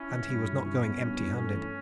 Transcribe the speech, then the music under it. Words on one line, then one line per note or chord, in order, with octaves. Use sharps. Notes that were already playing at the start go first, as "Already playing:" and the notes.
And he was not going empty-handed.
Already playing: C#4 E4
E3
G2
E4
C#4 E4
B3
G2
E3
A3 C#4
E3